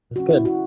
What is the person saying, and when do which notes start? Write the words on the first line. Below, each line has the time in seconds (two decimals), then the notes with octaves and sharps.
That's good.
0.15 C#3 F#3 C#4 F#4
0.30 E4
0.45 F#4